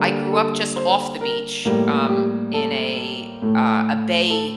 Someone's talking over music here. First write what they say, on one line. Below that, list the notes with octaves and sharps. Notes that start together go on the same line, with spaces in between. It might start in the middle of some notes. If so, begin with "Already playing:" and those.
I grew up just off the beach, um, in a, uh, a bay
Already playing: D3 G3 A#3
A4
C5
A#4
A2 G3 A#3 A#4
G4
A4
A2 A3
A4